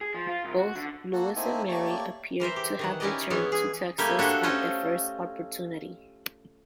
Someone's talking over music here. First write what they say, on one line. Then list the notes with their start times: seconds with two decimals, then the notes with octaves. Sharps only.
Both Louis and Mary appear to have returned to Texas at the first opportunity.
0.01 G#4
0.14 F3
0.27 F4
0.44 C2
0.58 F#4
0.76 D3
1.13 A#3 F#4 A4 F#5
1.36 A3 A#3 C4 D#4 E4 G#5
1.69 A3 A#3 G4 C#5 D5 C#6
2.40 E3 A#4 C5 E5
2.56 G4
2.79 D#3 E3 F#5
3.00 C#4 D#4 E4 G4 D5 D#5
3.30 E3 G#3 B3 C#4 E4 C#5
3.52 G#4
3.98 G3 A3 A#3 G4 G#4
4.19 D4 F#4 G4 A4 C5
4.43 C#4 F4 A4 C5 D#5